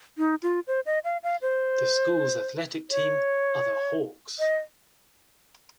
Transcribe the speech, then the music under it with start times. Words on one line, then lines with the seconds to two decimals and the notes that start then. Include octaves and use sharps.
The schools' athletic teams are the Hawks.
0.18 D#4
0.43 F4
0.67 C5
0.86 D#5
1.04 F5
1.23 F5
1.42 C5
2.91 C#5
4.39 D#5